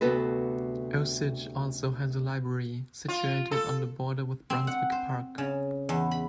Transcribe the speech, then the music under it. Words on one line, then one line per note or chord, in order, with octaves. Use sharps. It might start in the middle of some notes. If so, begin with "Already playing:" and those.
Osidge also has a library, situated on the border with Brunswick Park.
D2 C3 B3 F#4 A4 B4
F4
A4
C4
F#5
C5
C#3
E2
B5